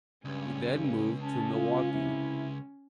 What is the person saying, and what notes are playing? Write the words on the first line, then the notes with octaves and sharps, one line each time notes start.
He then moved to Milwaukee.
C#2 G2 C#4
C#4 A5
F4
C3 E4